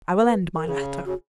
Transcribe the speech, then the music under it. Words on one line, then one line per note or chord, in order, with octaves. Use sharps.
I will end my letter.
B4
A#4
C#3 G#4
C#3 F#4